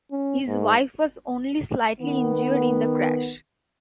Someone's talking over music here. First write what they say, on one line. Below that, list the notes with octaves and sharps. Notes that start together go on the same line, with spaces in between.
His wife was only slightly injured in the crash.
C#4
G#2
D#3 B3